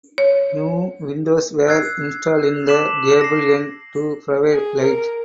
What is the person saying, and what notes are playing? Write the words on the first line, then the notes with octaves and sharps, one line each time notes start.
New windows were installed in the gable end to provide light.
C#5
E6 F#6 G#6 C7
A5 D6 B6 E7 F#7
A#6 C7
G#4
A#4